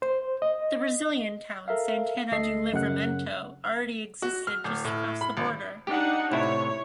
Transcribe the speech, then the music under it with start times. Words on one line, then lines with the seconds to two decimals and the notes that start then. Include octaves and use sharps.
The Brazilian town Santana do Livramento already existed just across the border.
0.02 C5
0.42 D#5
1.68 A4 A#4 E5 F5
2.32 D2 A3 A4 D#5 C7
2.73 F#2 C#3 F#5 F#6
4.22 F#4
4.47 F6
4.64 D1
4.85 A2
5.21 B5
5.37 G#1
5.87 D4 D#4 G4 F#5
6.31 A2 C3 E4 C#5